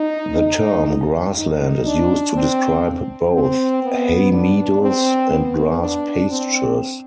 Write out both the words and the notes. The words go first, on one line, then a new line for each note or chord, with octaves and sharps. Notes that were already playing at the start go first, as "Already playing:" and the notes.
The term, grassland, is used to describe both hay meadows and grass pastures.
Already playing: D#4
D#4
D#4
D4
C4
C4
B3
D4
C4
B3
D4
C4